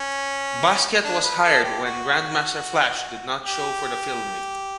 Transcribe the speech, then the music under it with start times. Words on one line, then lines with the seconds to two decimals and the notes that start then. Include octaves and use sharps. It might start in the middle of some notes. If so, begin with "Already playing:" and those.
Basquiat was hired when Grandmaster Flash did not show for the filming.
Already playing: C#4
1.04 D4
1.24 B4
1.44 A4
1.64 G4
1.85 F#4
3.45 G4